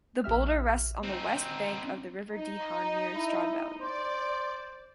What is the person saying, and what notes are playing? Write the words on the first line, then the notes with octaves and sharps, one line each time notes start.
The boulder rests on the west bank of the River Deehan near Stradbally.
A#1 G4 E5 F6
C4 D#4
D#4 D#5
E4
C5 D5